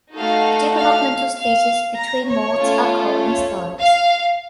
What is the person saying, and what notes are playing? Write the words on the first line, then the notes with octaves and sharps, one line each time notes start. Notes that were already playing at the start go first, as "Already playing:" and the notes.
The developmental stages between molts are called instars.
A3 D#4 F#4 A4 F5
F5
F5
A#5
C#5
A3 C#4 F4 A4
C#5
F5